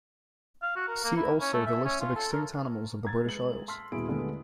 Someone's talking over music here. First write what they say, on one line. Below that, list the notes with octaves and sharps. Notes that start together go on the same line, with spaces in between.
See also the list of extinct animals of the British Isles.
F5
F#4
A#4
A#3
E4
C#4
A3
E5
C#4
F4
A4
A#4
A#5 G#6 A6
G#3 B4 F#7
A5 C6 E6 F6 B6
D#1 B2 E4 G#4 D7
D3 G#3 A3 B3 G4 B4